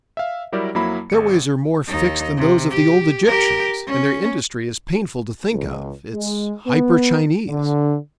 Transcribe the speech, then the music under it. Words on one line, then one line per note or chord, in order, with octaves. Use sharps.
Their ways are more fixed than those of the old Egyptians, and their industry is painful to think of, it's hyper-Chinese.
E5 F5
F#3 G3 E4 G4 A#4 D5
F2 F#3 A#3 E4 B5
G#1 C#7
D#2 D#4
C3
G4
G4 A#4
C#4
C#2
G#3
B3
D3